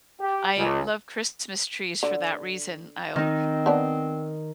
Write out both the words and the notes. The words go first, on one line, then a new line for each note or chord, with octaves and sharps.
I love Christmas trees for that reason, I'll
G4
C#2
D3
D#3 C4 D#4
B3 D4